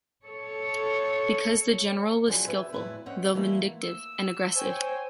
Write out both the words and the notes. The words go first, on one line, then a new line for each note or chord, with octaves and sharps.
Because the General was skillful, though vindictive and aggressive.
A4 C#5
D3 F3 F#3 G#4
A4 B4 E5 G5 G#5
F2 A2 G3 E4 G#4 B4
C4 C#4 D#5 F#5 G5
E3 A3 A#3 E4 F4
E6
C5 C#5 G5 G#5